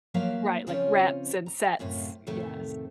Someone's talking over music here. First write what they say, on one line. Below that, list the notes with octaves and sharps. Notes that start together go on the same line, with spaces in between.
Right, like, reps and sets, yes.
F3 F#3 A#3 E5 F5
C#3 F3 C4 C#4 F4
A#5
F#2 A2 C3 F4
F2 A2 C3 D#3 A3